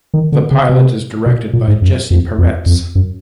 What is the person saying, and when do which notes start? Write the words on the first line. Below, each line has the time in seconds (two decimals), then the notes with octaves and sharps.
The pilot is directed by Jesse Peretz.
0.14 D#3
0.32 D3
0.51 C#3
0.69 C3
1.26 B2
1.53 A#2
1.68 G#2
1.82 F#2
2.10 F2
2.38 F2
2.66 F2
2.95 F#2